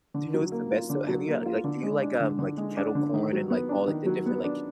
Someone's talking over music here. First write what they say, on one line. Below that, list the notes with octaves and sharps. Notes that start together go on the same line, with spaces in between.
do you know what's the best, though? Have you, uh, like do you like, um, like, kettle corn and, like, all, like, the different, like,
D3
F#3
A#3
F4
D3
F#3
A#3
F4
D3
G#3
D4
D3
D3
G#3
D4
D3
D#3
F#3
B3
D4
D#3
F#3
B3
D4